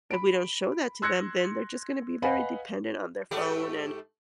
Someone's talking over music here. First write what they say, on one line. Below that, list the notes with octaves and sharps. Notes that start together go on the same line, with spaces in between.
if we don't show that to them, then they're just gonna be very dependent on their phone, and
B5 D7
C6 E6 F#6 G#6 A#6 C#7
B4 D#5 F5 F#5 G#5 B5
G#2 A3 G4